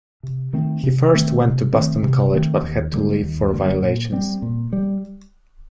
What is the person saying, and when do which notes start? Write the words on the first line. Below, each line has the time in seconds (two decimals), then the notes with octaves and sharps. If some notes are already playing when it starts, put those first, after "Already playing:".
He first went to Boston College, but had to leave for violations.
0.23 C3
0.53 D#3 A3 C4
0.83 C3
1.13 D#3 A3 C4
1.43 C3
1.73 D#3 A3 C4
2.03 C3
2.33 D#3 A3 C4
2.63 D#2
2.93 D3 G3 A#3
3.23 D#2
3.53 D3 G3 A#3
3.82 A#2
4.12 G3 C4
4.42 A#2
4.73 G3